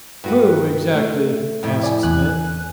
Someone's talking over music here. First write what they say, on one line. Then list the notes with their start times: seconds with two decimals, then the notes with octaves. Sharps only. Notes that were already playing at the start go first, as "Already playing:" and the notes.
"Who, exactly?" asked Smith.
0.24 G2 F#4 B4
0.94 A3
1.63 F2 A2 E4
1.83 D5 G#5
2.03 E2 G#5 F#6